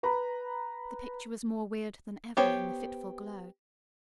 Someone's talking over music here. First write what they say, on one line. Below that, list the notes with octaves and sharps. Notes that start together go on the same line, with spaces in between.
The picture was more weird than ever in the fitful glow.
B4 A#5 B5
B3 G4 C5 C#5